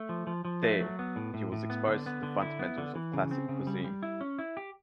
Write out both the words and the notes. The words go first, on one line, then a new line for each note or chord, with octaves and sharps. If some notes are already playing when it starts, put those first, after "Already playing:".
There, he was exposed to the fundamentals of classic cuisine.
Already playing: A3
F3
F3
F3
A3
F#3
B3
A2
A2
A2
B3
D3
B3
D3
E4
B3
D3
E3
C#3
C4
C#3
G3
G3
E4
C#4
E4
G4